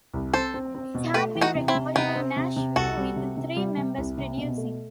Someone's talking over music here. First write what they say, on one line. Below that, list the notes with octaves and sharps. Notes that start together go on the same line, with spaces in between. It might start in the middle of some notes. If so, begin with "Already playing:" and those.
It had been recorded in Nashville with the three members producing.
C2
C4 A4 C5
C4
C4
B2
A3 G4 B4
E3
D#4 F#4
C3
C4 E4
C3
C3 B3 D#4
C4
C3
C3
C2 F#4 A4
G3
C3
C3
G3
C3
C2
C3
B2
A3